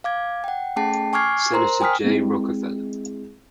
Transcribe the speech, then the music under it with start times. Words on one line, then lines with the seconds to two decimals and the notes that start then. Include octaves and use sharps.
Senator, Jay Rockefeller.
0.04 F5 D6 G#6
0.44 F#5 G5
0.76 A3 C#4 G#4 G5 A5 C7
1.13 G#5 C#6 D6 F6 G#6 C7
1.52 A#4 C5 A#5 C6
1.81 G5 G#5 D#6 F6 B6
2.04 G#3 C4 E4